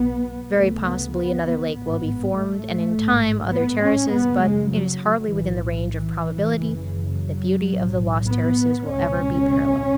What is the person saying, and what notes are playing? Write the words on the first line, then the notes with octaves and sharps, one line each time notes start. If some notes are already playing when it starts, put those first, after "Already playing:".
Very possibly another lake will be formed, and in time other terraces; but it is hardly within the range of probability that the beauty of the lost terraces will ever be paralleled.
Already playing: B1 B2 B3
D2 C#3 A3
B3
B3
A1 G#2 B3
A3
A1 G#2
B3
C#4
F#1 F#2 C#3 B3
G#3
F#3
B1 A2 E3
E3
F#1 F#2 C#3
F#3
B1 A2
B3
C#2 B2 C#4